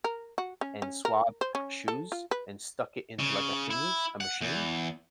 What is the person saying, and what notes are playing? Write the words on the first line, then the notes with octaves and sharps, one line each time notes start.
and swabbed my shoes, and stuck it into, like, a thingy, a machine,
A#4
F#4
C#4
C#4
A#4
C5
C#4
A4
F4
B4
C#3
E4
F#5
E2